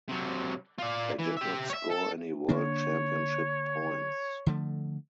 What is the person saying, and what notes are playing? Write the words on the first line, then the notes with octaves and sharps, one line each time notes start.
They did not score any World Championship points.
C3 F#3
F4 D5
E3
G4 E5
C#5 E5
A4
D3 A#3 D4 C#5
D3 F3 A3